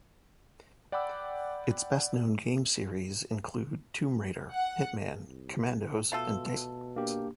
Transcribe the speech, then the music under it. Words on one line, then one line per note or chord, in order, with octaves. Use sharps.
Its best-known game series include "Tomb Raider", "Hitman", "Commandos", and "Deus Ex".
D5 F#5 G5 B5 D6 E6
F#5
C2
B2 A3 F4 A4
A#3 D4 G4